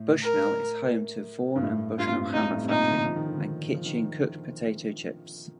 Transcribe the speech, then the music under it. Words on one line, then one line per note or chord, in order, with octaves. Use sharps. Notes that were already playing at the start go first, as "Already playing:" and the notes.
Bushnell is home to Vaughan and Bushnell hammer factory and Kitchen Cooked Potato Chips.
Already playing: A2
A#4
G2
A2
G2 F4
F2
G2
F2
G2 D#4
A2
C3
A#2 D#4
D3
F3
D#3
D3
D#3
F3
D#3